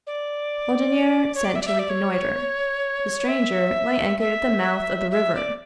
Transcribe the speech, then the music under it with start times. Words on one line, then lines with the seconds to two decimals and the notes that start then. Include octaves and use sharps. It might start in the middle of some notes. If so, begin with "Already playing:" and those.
Laudonniere sent to reconnoitre. The stranger lay anchored at the mouth of the river.
0.06 D5
1.34 C#5
1.44 D5
1.55 E5
1.61 D5
1.67 E5
1.79 D5
1.89 C#5
3.28 E5
4.19 E5
5.11 E5
5.35 D5